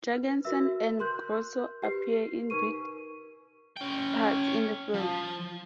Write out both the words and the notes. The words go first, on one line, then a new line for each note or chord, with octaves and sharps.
Jurgenson and Grosso appear in bit parts in the film.
B4
F#4 A#4 B4 E5 E6
A#4 C6 F#6 G6
G4 B4 C7
D#4 A#4 B4 C#6 D#7
C#4 G5
F3